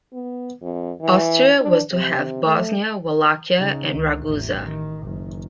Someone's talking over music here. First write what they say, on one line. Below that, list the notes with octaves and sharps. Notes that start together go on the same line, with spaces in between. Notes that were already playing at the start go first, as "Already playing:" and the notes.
Austria was to have Bosnia, Wallachia and Ragusa.
B3
F2
E3
D4
C3
A3
C#3 D#4
C#2 D#3
A1 E2
D#3
F#1 D#3